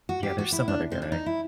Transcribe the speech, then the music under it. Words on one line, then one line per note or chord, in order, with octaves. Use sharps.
Yeah, there's some other guy.
F#4
G4
F#4
E4
D4
C4
D4
D#4
E4